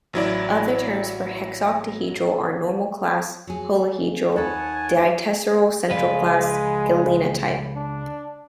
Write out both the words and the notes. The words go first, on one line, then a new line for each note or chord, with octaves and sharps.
Other terms for hexoctahedral are: normal class, holohedral, ditesseral central class, galena type.
A1 F#3 E4 D5
F#3 G#4
D#2 D#4 B4 C#5 F#5 G#5 A5
C#2 F3 G#3 B4 D5
D4